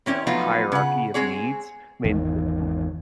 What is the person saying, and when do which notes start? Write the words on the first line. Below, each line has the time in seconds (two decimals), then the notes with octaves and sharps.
you know, hierarchy of needs, I mean, m m
0.06 C4 C#4 E4
0.27 F3 F#3 A3 B3 D#4 F4
0.72 C#3 F#5
1.14 G#3 C4 G#4 C#5
2.04 G#1 E2 D#3